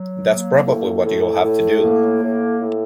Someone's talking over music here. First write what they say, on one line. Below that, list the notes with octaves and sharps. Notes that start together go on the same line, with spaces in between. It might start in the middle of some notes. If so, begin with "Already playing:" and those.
That's probably what you'll have to do.
Already playing: F#3
A#3
A2
A2
A2
A#3
A2
A2